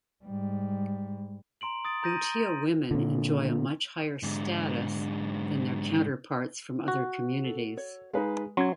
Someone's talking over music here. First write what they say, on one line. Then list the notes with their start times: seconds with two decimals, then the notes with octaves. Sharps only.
Bhutia women enjoy a much higher status than their counterparts from other communities.
0.25 G#2 G3
1.61 A#5 C6 D7 F#7
1.85 D#6 A6 D7
2.03 A#5 G6 A#6 D#7
2.91 A#2 D3
4.23 G#2 D3
6.88 F#4
7.44 A4
7.77 C#5
8.13 G#3 D#4 B4 F5
8.57 F#3 C#4 C6 G#6